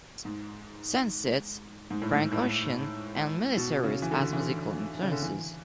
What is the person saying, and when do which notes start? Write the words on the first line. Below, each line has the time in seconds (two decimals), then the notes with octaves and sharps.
Sant cites Frank Ocean and Miley Cyrus as musical influences.
0.25 G#2
1.91 G#2
2.02 A2
2.13 G#2
2.32 A2
3.57 B2
3.83 C#3
4.02 E3
4.11 D3
4.32 E3
4.39 D3
5.02 C#3
5.12 D3
5.22 E3